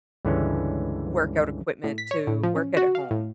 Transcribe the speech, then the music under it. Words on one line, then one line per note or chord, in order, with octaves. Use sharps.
workout equipment to work at home
C#2 G2 D3 E3 G#3 C#4
A2
B6
C#5
A2
F3
C#4
F#4
F5
A2